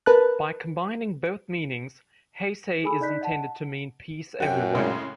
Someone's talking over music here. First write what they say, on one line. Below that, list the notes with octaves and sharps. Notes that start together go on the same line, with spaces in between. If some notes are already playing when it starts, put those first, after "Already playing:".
By combining both meanings, Heisei is intended to mean "peace everywhere".
A#4 B4 A5 F#6
G#4 A4 G#5 B5 E6
D#4 D5 D#5 F#6 G6 B6
D#5 F#5 A5
F#2 F#4 G5
A2 C#3 G#3